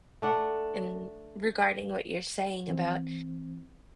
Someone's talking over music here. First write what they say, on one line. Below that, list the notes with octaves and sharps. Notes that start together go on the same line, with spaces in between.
and regarding what you're saying about,
A3 D4 F#5
E3 C4